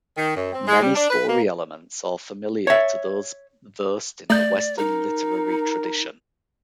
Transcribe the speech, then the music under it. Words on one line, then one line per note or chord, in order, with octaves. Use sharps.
Many story elements are familiar to those versed in the Western literary tradition.
D#3
F#2
C4
G#3
G3
D4
B4
A#3
C#5 E5
A3 D5 G6
D#4 A#4